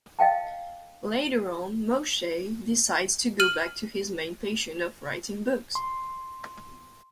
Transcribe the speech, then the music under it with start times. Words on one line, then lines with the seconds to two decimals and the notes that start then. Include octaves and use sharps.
Later on Moshe decides to go back to his main passion of writing books.
0.19 D#5 F5 G5 A5
3.40 F6 D#7 F#7
5.75 C6